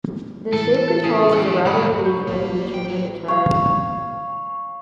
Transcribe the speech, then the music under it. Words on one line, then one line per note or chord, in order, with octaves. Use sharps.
The shape control was a rather unusual feature for the time.
A2 E3 A3 A4
C#3
C#4 G4
C#2 G2 D#3 F#3 B5
C#6 G6
A1 G3 A#3
G5
F#3
C#5 F5